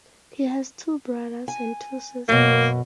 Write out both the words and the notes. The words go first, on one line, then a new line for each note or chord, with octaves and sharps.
He has two brothers and two sisters.
G#5
F#2 B2 A#3